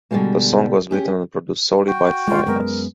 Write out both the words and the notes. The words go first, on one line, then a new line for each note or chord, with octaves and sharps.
The song was written and produced solely by Finneas.
B2 D3 F3 G3 G#3 A#3
C#4 G4 G#4
F#4 G5
G#3 F4
F#2 G#3 B3 A#4